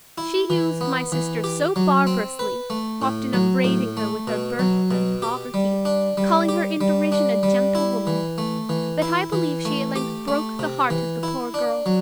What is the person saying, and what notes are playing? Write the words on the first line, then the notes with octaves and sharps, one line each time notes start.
She used my sister so barbarously, often upbraiding her with her birth and poverty, calling her in derision a gentlewoman, that I believe she at length broke the heart of the poor girl.
E4
E3
B3
E3
G4
F#3
C4
B4
A3
A2
F#3
A2
A3
B2
F#3
B2
G4
G3
D4
G3
G4
G3
D4
G3
E4
E3
A3
E3
E4
E3
A3
G4
A3
C3
E3
E4
D4
F#3